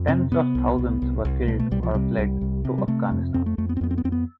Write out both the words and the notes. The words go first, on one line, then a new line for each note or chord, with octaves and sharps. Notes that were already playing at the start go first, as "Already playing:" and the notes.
Tens of thousands were killed or fled to Afghanistan.
Already playing: F2
C3 C4
C3 B3
C2
C2
C2
C2
B2 A3
A3
C2 G3
F3
C3 G3
C2
C2
C3
G3
C3 A3
F2
F2 C4
A3
F2 A3
B3
C4
F2 B3
C4
B3
F2 C4
B3